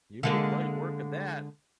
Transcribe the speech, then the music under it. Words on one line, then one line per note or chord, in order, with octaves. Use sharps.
You made light work of that!
D3 G#3 A#3